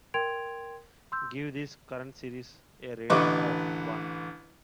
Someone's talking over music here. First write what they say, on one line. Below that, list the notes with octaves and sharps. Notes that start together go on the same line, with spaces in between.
Give this current series a rating of one.
A#4 G5 C6 G#6 D7 F7
C6 E6 G6
A1 D3 B4 D#5 C#6 D6